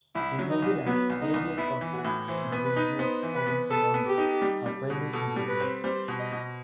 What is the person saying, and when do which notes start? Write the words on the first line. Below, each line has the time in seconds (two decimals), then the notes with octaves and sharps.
In New Zealand, "habeas corpus" may be invoked against the government or private individuals.
0.15 C2 E4
0.39 F#3
0.50 D#4
0.62 C2
0.86 F#3 B3
1.10 C2
1.21 D#4
1.34 C2
1.57 B3 E4
1.81 E3
1.93 F#4
2.05 A2
2.28 E3 C5
2.52 B3
2.64 B4
2.76 D#4
2.99 B3 C5
3.23 E3
3.35 B4
3.46 B3
3.70 B3 A4
3.94 B3
4.06 G4
4.18 D#4
4.42 G3
4.66 G3
4.90 B2
5.13 B2 A4
5.36 G3
5.48 B4
5.61 C4
5.84 G3 C5
6.08 B2
6.19 D#5
6.32 B2